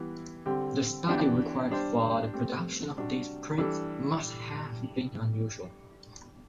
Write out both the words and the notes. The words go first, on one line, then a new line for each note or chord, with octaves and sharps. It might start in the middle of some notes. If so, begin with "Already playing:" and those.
The study required for the production of these prints must have been unusual.
Already playing: E3 G3 B3 E4
D3 G3 C4 G4
E3 B3 D4 G4
G3 D4 G4 C5
A3 C4 G4
C3 G3 D4 F#4
E3 G3 D4 A4